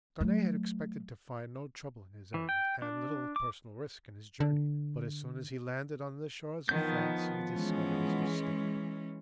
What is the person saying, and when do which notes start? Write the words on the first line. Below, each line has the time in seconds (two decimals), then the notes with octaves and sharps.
Darnay had expected to find no trouble in his errand and little personal risk in his journey, but as soon as he landed on the shores of France he discovered his mistake.
0.21 F#3 A3
2.34 E3
2.49 G5
2.82 D4
3.36 D6
4.40 D3
6.69 D#3 F3 B3 G6
7.53 E3 G#3 C#4